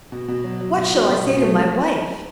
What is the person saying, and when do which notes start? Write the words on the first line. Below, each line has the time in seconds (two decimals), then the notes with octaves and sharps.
What shall I say to my wife?
0.12 B2
0.28 B2
0.44 F#3
0.60 F#3
0.77 B2
0.93 B2
1.09 B2
1.26 B2
1.42 A3